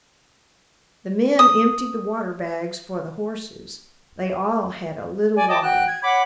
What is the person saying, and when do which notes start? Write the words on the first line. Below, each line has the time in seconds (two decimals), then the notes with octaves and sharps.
The men emptied the water-bags for the horses; they all had a little water.
1.39 D#6
5.35 D5 G#5
5.48 D#5 G5 A5 D6
5.62 F#4 G5 F#6
5.86 G#6
6.02 C#5 F#5 B5 D6